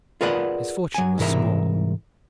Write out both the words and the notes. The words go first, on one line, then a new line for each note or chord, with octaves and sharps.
His fortune was small.
F4 G#4 A#4 B4 D5 F#5
F#3 G#5
C2 G#2 E3 A#4 E5